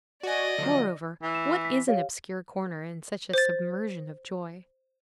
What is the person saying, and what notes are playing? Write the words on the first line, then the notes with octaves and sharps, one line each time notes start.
Moreover, what is an obscure corner in such a submersion of joy?
F#4 D5 D#5 G#5
D3 F3 F#3
E3
E7
B6
G4 C#5 F5
C5 A6